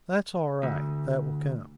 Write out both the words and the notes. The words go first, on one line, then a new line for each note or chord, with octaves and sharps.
That's all right--that will come.
D2